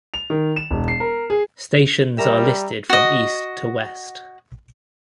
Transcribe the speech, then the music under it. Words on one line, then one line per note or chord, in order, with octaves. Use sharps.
Stations are listed from east to west.
F7
D#3
E7
E1
C7
A#4
G#4
G3 A#4 E5 A#5 C#6
F#4 D#5